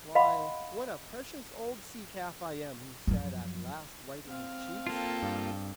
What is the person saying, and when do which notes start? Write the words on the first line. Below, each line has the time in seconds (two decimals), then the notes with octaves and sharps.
"Why, what a precious old sea-calf I am!" he said at last, wiping his cheeks.
0.15 D#5 F5 F#5 B5 C6
3.07 F#2 F3
4.25 C4 F5
4.87 A#3 F4 A4 G5
5.23 G2